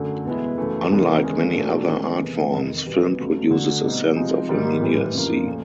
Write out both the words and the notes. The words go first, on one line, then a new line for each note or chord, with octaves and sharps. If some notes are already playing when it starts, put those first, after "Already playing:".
Unlike many other art forms, film produces a sense of immediacy.
Already playing: F#2 D3 F#3 A3
E2 B2 G#3 B3 E4
F#2 C#3 E3 A3
E2 C3 E3 G3 A#3
D#3 G#3 C#4
A#2 F#3 A3 D4
D#3 G#3 C#4
E2 C3 E3 G#3
F2 C3 D#3
E2 B2 G3 B3
F2 C#3 F#3 A3
D3 F#3 A3
B2 G3 C4 D#4
C3 F3 G#3 C4 D#4
G#2 D#3 G3 A#3
A2 E3 G3
F2 C#3 F3 A#3
A#2 F3 A3